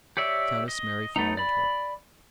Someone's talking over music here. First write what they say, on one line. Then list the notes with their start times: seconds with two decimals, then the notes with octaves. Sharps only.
Countess Mary followed her.
0.17 G4 C#5 D5 E5
0.68 D#5
1.16 A3 B3 D#4
1.37 D5 B5